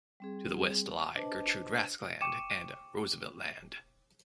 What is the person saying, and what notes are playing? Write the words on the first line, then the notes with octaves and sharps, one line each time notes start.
To the west lie Gertrude Rask Land and Roosevelt Land.
G3 C4 G#4
D4 B4 C5 D#5 A5
G5 C#6 D6 C#7 D#7 E7